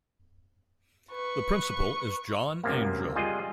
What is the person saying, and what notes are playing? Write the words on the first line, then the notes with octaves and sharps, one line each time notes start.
The principal is Jon Angell.
B4 C#6
C#2 F#2 C3 A#3
G3 G#3 F4 G#4 D#5